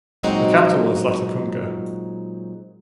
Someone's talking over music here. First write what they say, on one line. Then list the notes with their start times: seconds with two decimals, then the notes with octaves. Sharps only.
The capital is Latacunga.
0.23 A#2 F#3 G#3 C4 D#4 F#4